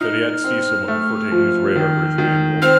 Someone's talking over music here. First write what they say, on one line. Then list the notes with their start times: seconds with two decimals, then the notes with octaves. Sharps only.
Said he had to see someone before taking his radar-bridge manual.
0.01 D#4 F6
0.44 C4
0.88 A3
1.32 F3
1.75 D#3
2.18 D#3
2.62 C4 F6